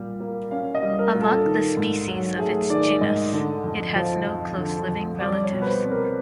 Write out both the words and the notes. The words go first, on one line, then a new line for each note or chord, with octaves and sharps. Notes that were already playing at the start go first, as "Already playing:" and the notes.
Among the species of its genus, it has no close living relatives.
Already playing: A#2 G3
A#3
C#4 F5
D#5
G3
A#4
A#2
A4
D#3
G#2
F#3
A3 G#4
D#3 D5
G#2 D#5
D3
F2
F3
F2
D3
F2
G3 D5
C#5
B2
B4
C5
C4
A#4